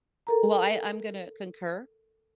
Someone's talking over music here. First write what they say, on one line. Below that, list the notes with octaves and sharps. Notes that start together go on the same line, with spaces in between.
Well, I I'm gonna concur.
A4 A#4 A#5